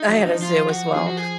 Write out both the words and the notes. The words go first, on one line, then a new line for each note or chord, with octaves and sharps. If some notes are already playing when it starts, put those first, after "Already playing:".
I had a zoo as well.
Already playing: D#4
F#3
D#3
F3
F4
F#4
F3 G#4
F#4
G#4